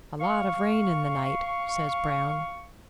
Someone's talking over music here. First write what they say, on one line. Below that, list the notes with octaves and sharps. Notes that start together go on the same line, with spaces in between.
"A lot of rain in the night," says Brown.
F5 C#6